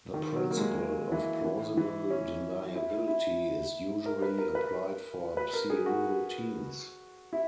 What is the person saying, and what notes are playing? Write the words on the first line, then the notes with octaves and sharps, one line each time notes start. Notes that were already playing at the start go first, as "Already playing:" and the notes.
The principle of plausible deniability is usually applied for pseudo-teams.
D#3
F#3
A#3
G#3
E3
E3
E3
C#4
E4
E4
A#4
B4
A#4
B4
B4
A#4
G#4
F#4
E4